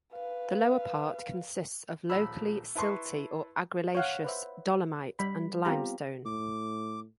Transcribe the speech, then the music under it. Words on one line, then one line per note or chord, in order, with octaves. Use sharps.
The lower part consists of locally silty or argillaceous dolomite and limestone.
B4 F5
D#1 F3 B5 E6
E4 B4 A5 C6 C#6
C#5 F5 F#5
B4 C5 E5
G3 B5
B3 C4 F4 G4 A#5
A2 D6